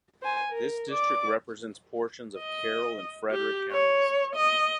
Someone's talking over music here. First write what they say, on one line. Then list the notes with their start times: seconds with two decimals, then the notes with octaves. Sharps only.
This district represents portions of Carroll and Frederick Counties.
0.22 C5 G#5
0.52 A#4
0.89 D5 D6
2.39 D#5
3.31 G4
3.72 C#5
4.36 D#5